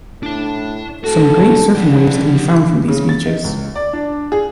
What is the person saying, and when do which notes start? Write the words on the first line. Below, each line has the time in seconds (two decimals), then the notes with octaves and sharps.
Some great surfing waves can be found from these beaches.
0.23 A2 D4 A5
1.04 A2 F#4 A4
1.75 D3 F3 G4
2.88 C#3
3.09 A6
3.26 D#4
3.44 C#2
3.76 D5
3.93 D4
4.32 G#4